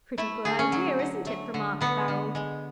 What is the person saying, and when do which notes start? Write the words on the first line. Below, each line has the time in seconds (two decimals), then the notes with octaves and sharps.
"Pretty good idea, isn't it?" remarked Barold.
0.18 A3 E4
0.45 D3 G#4
0.59 C#4
0.72 F#3
0.99 D3
1.27 A3
1.54 D3
1.81 D3 B3
2.08 D3
2.35 G#3